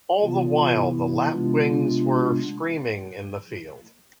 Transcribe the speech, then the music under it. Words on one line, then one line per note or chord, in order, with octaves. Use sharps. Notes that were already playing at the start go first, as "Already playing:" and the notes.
All the while the lapwings were screaming in the field.
C3 E3 B3 F4
E4
C3 G#3 B3 D4 F4